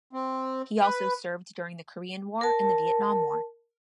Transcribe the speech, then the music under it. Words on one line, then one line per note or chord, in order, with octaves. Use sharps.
He also served during the Korean War and the Vietnam War.
C4
B4
A#4 A5